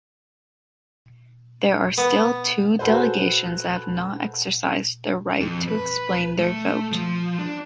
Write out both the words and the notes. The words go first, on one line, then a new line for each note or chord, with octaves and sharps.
There are still two delegations that have not exercised their right to explain their vote.
B3
F#4 G#4 A4 B4 C5
F2
B4
A3
F3
D4